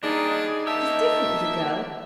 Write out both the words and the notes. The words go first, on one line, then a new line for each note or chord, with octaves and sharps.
It is different with a girl.
D#2 G3 D4 D#4 G#4
A#3 G4 E5 A5